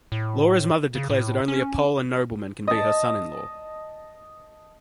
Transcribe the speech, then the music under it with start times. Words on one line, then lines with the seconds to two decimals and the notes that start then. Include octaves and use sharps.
Laura's mother declares that only a Pole and nobleman can be her son-in-law.
0.12 A2
0.95 C#3
1.10 A2
1.48 C#4
2.67 D#5 A5